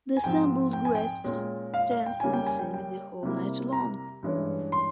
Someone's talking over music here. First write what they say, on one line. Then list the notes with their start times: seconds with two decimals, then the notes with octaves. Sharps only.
The assembled guests dance and sing the whole night long.
0.17 G#5
0.24 G#2 F3 C4 G5
0.73 G5
0.85 G#5
0.95 G5
1.24 A#2 G#3 C#4
1.74 F5
1.91 F5
2.06 G5
2.20 C#3 G3 A#3 C#4 G#5
2.33 G5
2.47 G#5
2.59 G5
2.74 G5
3.23 C3 G3 A#3 E4
3.73 A#5
4.23 G2 E3 G#3 C#4
4.72 C6